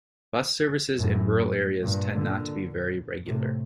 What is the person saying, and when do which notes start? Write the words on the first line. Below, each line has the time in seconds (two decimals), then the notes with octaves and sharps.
Bus services in rural areas tend not to be very regular.
0.98 F#2 A2
1.84 G2 A#2
2.12 A#2 D3
3.26 A2 C3